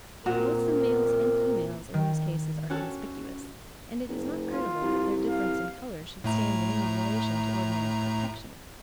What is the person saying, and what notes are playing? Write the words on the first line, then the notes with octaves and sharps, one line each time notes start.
Both the males and females in these cases are conspicuous, and it is not credible that their difference in colour should stand in any relation to ordinary protection.
A#2 C4 F#4 A#4
D#3
C#4 F#4 A4
F#1
F4
C2
F5
A2 A3 A#5